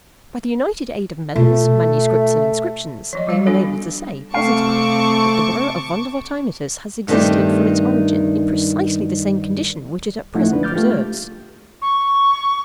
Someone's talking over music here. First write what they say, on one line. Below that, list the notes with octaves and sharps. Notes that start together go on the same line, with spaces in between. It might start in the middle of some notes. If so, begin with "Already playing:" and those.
By the united aid of medals, manuscripts, and inscriptions, I am enabled to say, positively, that the borough of Vondervotteimittiss has existed, from its origin, in precisely the same condition which it at present preserves.
B2 A3 F4
E3 F3 D#5
F#3 G3 F5
B3 D4 F#4 A4
C3 A3 C4 F5 A5 C#6 D6
G2 D#3 A3 C4 G4
A2 F3 A3 D#4 E4 F#5
F2 G#2 D3 D4 B4
D6 F6 G6 A6
A3 F4 G4
G#3
C#6